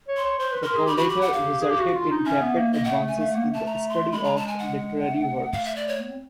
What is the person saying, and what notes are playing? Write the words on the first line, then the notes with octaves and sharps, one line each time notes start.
The collator resulted in rapid advances in the study of literary works.
C#5
C6
C#5
C5 C6
B4
A#4 C6
G#4
G4 B5
F#4 B5
G4 B5
F#5
F5
G#4
G4
F#4
F4
D#4
C#4 E5
B3
A#3
A#3 D#5
A3 F#5
A3 G#5
A3 F5
A#3 F#5
A3 A5
A#5
C6
G#3 B5
A#5
A5
G#5
F#5
A3
F5
E5
D5
C#5
B3
C4